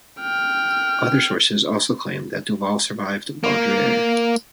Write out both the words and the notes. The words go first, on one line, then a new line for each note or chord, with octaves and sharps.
Other sources also claim that Duval survived Baudelaire.
G5 F6
A#3